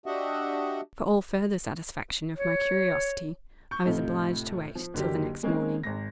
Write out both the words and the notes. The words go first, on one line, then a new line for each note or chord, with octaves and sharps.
For all further satisfaction of my curiosity, I was obliged to wait till the next morning.
D4 F#4 G4 D#5 E5 F#5
C#5
C#6 G6
A2 C3 D#4 F4 A4
F3
F#1 D3 F#3 A#3 G4
G#3 A#3 C4 C#4 D#4 A#4
G#1 G#2 A#6